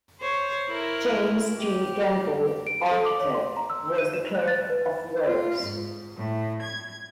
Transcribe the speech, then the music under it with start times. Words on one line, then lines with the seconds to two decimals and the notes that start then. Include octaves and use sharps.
James G. Gamble, architect, was the clerk of works.
0.21 C5 C#5
0.69 E4 A#4
1.57 G4
2.67 D7
2.91 A4
3.05 D6
3.20 C#5
3.34 C6
3.56 A#5
3.70 E6
3.98 D#7
4.14 E7
4.35 F#6
4.48 A6
4.70 B4
5.26 F4
5.62 G#2
6.17 A2
6.62 G#6